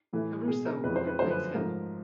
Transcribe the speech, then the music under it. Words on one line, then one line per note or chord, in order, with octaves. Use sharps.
Caruso would replace him.
A2 E3 A3
B2 G#3 G#4
A#4
F2 C#3 E3 G#3 B4
C5
B4
F#2 D3 F3 A3 C5
B4
G#2 F3 A3 A#4